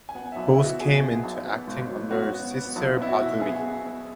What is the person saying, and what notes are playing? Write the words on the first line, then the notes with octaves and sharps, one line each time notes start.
Bose came into acting under Sisir Bhaduri.
G#5
B3 F#5
B1 E5
E4
B3
F#4
B2 G#4
B3
B1
B3
G#1
F#3
B3 F#4
B3
B3
B1
B3 E4
F#4
B2
B3 G#4
B3
B3